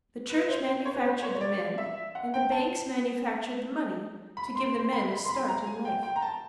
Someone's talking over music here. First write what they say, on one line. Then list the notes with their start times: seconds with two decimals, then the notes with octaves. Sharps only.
The Church manufactured the men and the banks manufactured the money to give the men a start in life....
0.30 B4
0.49 C5
0.67 C5
0.85 C#5
0.96 B4
1.04 C5
1.23 C#5
1.35 C#5
1.41 D5
1.78 E5
2.15 F#5
2.34 G5
2.52 A5
4.37 B5
4.55 C6
4.74 C6
4.93 B5
5.11 B5
5.24 C6
5.29 B5
5.48 A#5
5.66 G#5
5.85 G5
6.03 G5
6.16 A#5
6.22 A5